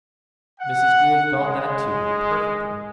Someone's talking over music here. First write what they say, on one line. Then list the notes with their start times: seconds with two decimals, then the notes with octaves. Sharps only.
Mrs. Gould felt that, too, perfectly.
0.60 F#5
1.36 G#3